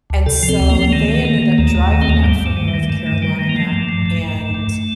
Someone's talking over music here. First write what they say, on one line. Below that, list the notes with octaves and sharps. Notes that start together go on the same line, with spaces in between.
And, so, they ended up driving up from North Carolina and,
D2
C3 A4
F3
C4
D2
A#3
F3 C4
A#3
D#3 A3
D#3
A3
D#3 A#3
D#3
D#2 A3
D#2
D#3
C4
D#2 A#3
A3
G2 G3
G2
A3
D#3
G3
D#3
G3
G2 A3
D#3
D#3 G3
D#3
A#3
F3 A3
G2
F3
G2
G2
G2
G2